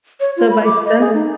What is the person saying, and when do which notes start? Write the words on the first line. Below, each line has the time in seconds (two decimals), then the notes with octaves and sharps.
So, by Sunday
0.20 C#5
0.37 F4
0.50 B5
0.65 D6
0.85 D#5
1.00 G#4
1.14 D#4